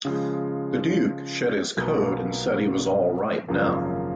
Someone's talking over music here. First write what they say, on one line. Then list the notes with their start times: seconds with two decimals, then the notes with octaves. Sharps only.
The duke shed his coat and said he was all right, now.
0.05 C#3 F3 G#3
1.77 B1 B2 A#3 F4 B4
3.48 G#1 F#2 C#3 F3 A#3